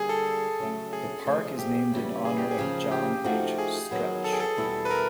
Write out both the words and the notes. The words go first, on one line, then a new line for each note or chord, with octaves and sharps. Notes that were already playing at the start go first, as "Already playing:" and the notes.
The park is named in honor of John H. Stretch.
Already playing: D3 G3 A#3 G#4
A4
C#3 F#3 A3
G#4
C3 F3 A3
G4
E2 C#3 E3 G3
G#4
G4
G#4
D#2 C#3 F3
G4
F3 A3 C4 D#4 F#4
G#4
D#3 F#3 B3
A4
G#4
A4
E2 B2 G3 B3 E4
B4
A#4